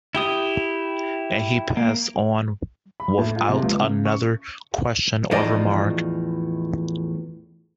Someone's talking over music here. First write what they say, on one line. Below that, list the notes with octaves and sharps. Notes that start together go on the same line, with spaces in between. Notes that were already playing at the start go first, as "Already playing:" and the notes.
And he passed on without another question or remark.
E4 G4 D#6
A#3
B5
A2
F4
C3
C#2
C#3
C#6
E2 A2 F3 D#4 D5 D#5